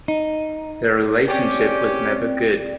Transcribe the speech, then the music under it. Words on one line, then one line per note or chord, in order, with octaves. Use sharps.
Their relationship was never good.
D#4
C4 C#4 G4 D5 G5